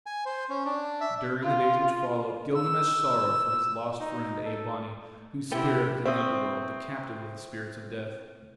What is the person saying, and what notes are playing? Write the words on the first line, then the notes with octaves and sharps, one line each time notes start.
During the days which followed Gilgamesh sorrowed for his lost friend Ea-bani, whose spirit was in the Underworld, the captive of the spirits of death.
G#5
C5
C#4
D4
E5
F4
E6
D#4
A4
C3 B3 E4 A4 G5
C4 E5 C#6 D#6